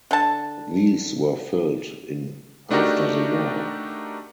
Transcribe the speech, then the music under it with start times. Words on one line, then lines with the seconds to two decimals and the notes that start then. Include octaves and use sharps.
These were filled in after the war.
0.11 D3 A5
2.71 A3 D4 D#4 F#4 G4 A#4